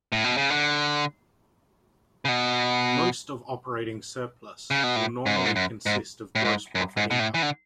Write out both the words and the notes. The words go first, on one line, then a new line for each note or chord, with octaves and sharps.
Most of operating surplus will normally consist of gross profit income.
A2
B2
C#3
D3
C#3
B2
C#3
B2
A2
G#2
F#2
G#2
F#2
G#2
A2
G#2
F#2
G#2
B2
A2
E3
D3